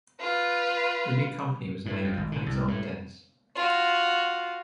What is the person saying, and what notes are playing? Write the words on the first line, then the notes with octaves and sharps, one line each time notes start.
The new company was named Alexander Dennis.
F4 B4
A2
F2
G#1
D3
C2
A2
F4 F#4